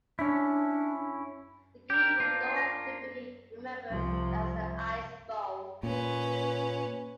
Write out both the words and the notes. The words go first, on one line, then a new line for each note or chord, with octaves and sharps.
The game would go on to be remembered as the "Ice Bowl".
C#4 D4 E4
G4 A#4 G6
A#3 D4 F4
A#6
C2 F3
A#2 C#4 B4